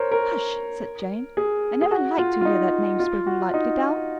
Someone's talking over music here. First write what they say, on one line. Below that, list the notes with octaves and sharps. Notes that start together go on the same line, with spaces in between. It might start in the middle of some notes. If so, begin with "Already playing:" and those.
"Hush," said Jane; "I never like to hear that name spoken lightly, Dal."
Already playing: A#4 C5 C#5
A#4
G#4
G#4
F#4
F4
F4
D#4
F4
F#4
D#4